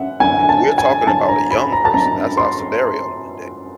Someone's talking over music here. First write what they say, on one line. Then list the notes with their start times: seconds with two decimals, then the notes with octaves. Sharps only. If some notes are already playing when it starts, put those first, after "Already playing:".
you know, we're talking about a young person, that's our scenario of the day.
Already playing: F#2 D3 E5 F#5
0.20 F#2 D3 G#5
0.49 A5
0.78 G#5
1.07 F#2 D3 A5
1.28 A#5
1.51 B5
1.72 A#5
1.85 A5
1.94 F#2 D3 A#5
2.37 C6